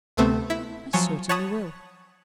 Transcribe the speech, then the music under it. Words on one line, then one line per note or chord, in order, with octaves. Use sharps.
"I certainly will."
D2 C3 A3 B3 C4
E4 B6
F3 F#3 C#5 G#5
C#5 F#5 A5 B5 C#6 D#6